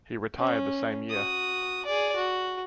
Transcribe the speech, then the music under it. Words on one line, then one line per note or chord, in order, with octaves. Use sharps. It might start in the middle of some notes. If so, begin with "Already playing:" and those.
He retired the same year.
C#4
F#4 D#6
G#4 D5
F#4